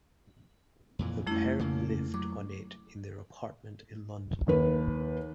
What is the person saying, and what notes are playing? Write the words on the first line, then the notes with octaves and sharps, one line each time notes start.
The pair lived on it in their apartment in London.
F2 A#2 E3
F2 G3 A3 C#4 E4
C#3 A#3
F#3 D6
D#2 B4